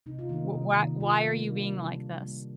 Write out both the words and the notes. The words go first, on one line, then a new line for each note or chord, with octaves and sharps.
Wh why why are you being like this?"
C3 D#4
F4
D#3 A#3 D#4
C3
D#3 A#3
C3 F4
G3 A#3
C3 D4
G3 A#3
D#3
G3 A#3